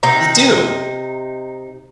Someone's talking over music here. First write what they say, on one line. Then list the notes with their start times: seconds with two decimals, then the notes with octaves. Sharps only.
They do.
0.03 C3 D#4 A#5